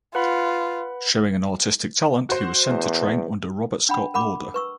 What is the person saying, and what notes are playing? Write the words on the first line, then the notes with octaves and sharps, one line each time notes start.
Showing an artistic talent he was sent to train under Robert Scott Lauder.
F4 B4 F#5 B5
F#4 C5
E2
D4 F#5 G5 B5
A#4 F#5 B5 D6
B4 C#6 E6